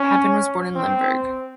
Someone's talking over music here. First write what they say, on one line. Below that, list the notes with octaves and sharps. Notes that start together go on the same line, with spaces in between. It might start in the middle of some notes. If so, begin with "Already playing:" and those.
Papen was born in Limburg.
Already playing: C#4
C4